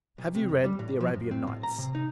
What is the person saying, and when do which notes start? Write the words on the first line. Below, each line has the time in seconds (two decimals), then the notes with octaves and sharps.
"Have you read the 'Arabian Nights'?"
0.18 B1
0.35 C3
0.49 F#2
0.64 G3
0.79 A2
1.01 F3
1.14 F#2
1.31 C4
1.47 A2
1.63 A#5
1.78 C3
1.95 D#4